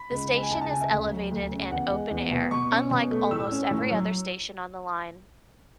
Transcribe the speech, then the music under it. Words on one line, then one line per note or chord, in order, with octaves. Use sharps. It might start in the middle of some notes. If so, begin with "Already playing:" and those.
The station is elevated and open-air, unlike almost every other station on the line.
Already playing: B5
C#2
G#3
G#5
C#2 A5
A5
C#3 G#5
E5
D2
F#3
D2
C#3
E2 F#5
G#3
E2
B2
B2 C#6
C#4
B2
A3
A2 E6
C#4
A2
F#3